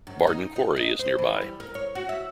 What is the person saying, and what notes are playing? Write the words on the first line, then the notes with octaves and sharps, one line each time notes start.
Bardon Quarry is nearby.
F#2
D#4
D#4
D#5
C5
E3
G3
A#4
C#5
F#4
E5